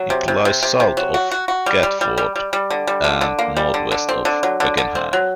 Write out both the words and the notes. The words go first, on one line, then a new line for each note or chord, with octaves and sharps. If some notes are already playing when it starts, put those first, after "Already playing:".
It lies south of Catford and north west of Beckenham.
Already playing: F#3
C3
C3
C3
C3
C3
F#3
F#4
F#4
F#4
G3
G3
G3
G3
G3
G3
D3
G3
D3
D3
A#3
G3
D3
D3
C4
D3
F#3
D3
D3
C4
F#3